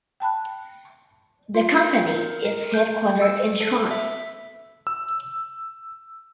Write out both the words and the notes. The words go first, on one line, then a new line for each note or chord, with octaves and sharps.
The company is headquartered in Schruns.
G5 A5 B5 F#6
F4
G6
A#4
A#4
G6
E6
A4
E5
E6